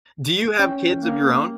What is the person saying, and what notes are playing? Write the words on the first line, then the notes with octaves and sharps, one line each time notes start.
Do you have kids of your own?
C#4 G5
A#3